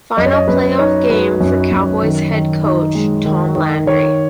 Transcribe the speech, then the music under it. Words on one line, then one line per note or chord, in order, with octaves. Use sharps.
Final playoff game for Cowboys head coach Tom Landry.
F#2 D#5
C#5
D#5
F#2 B4
D#4 C#5
F#3 B4
F#2
F#2
D#3
D#3
D#4
G#3
D#3
D#3
D#3 C#5